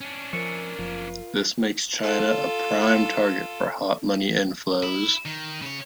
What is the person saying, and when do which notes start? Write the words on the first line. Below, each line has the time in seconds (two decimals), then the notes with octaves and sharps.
This makes China a prime target for hot money inflows.
0.01 C#4 D4
0.33 F3 A#4 E5 G#5 C#6
0.78 F#1 F3 F4
2.03 F4 A4
4.83 E4
5.26 D#3
5.62 C#3 C#5